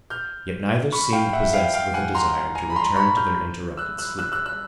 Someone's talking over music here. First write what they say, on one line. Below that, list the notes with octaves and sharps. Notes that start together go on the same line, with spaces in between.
Yet neither seemed possessed with a desire to return to their interrupted sleep.
F6 G6
B5 C#6
F5 G5
E5 F#5
F5 G5
F5 G5
F#5 G#5
A#5 C6
G#5 A#5
B5
A#5 C6
B5 C#6
F6 G6
E6 F#6
E6 F#6
E6 F#6
E6 F#6
E6 F#6